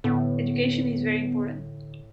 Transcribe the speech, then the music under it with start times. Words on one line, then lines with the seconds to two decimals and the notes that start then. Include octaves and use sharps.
Education is very important.
0.04 A2 D3 B3